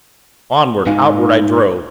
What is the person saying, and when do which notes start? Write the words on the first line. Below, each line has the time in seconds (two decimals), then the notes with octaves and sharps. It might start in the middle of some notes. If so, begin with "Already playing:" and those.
Onward, outward, I drove.
0.86 G#2 G#3 D#4 B4 F5 G#5